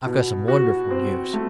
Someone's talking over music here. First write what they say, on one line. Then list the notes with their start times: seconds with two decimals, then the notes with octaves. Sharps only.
"I've got some wonderful news."
0.06 B2
0.48 F#4
0.91 C4
1.33 A3